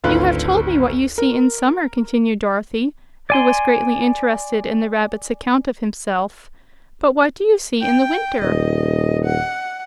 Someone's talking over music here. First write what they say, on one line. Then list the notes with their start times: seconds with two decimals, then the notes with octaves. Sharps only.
"You have told me what you see in summer," continued Dorothy, who was greatly interested in the rabbit's account of himself, "but what do you see in the winter?"
0.04 G#1 D2 F4 B4 F#6
1.18 A#4
3.30 D5 G#5 C6
7.82 G5
8.41 D#1 D#5
9.25 F#5